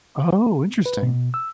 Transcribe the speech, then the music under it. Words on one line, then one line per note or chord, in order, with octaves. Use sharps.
Oh, interesting.
B4
B2
E6